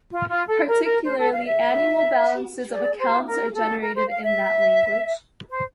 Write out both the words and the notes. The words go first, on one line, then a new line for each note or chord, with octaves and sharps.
Particularly annual balances of accounts are generated in that language.
F4
F4
A4
A#4
A#4
C5
A4
F5
E5
D5
C5
A#4
A4
A#4
C5
F5
E5
C5